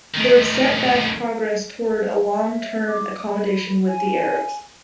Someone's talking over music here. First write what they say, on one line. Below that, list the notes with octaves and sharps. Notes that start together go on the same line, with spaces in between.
They've set back progress toward a long term accommodation with the Arabs.
A2 D#3
E5
D6
B5
G#5